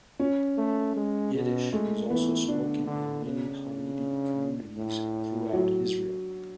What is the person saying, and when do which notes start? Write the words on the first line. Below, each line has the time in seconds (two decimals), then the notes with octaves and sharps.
Yiddish is also spoken in many Haredi communities throughout Israel.
0.19 C#4
0.57 A3
0.96 G#3
1.34 B2
1.72 G#3 A3
2.10 E3 B3
2.48 D3 D4
2.87 D3
3.25 C#3
4.77 A2
5.53 F#3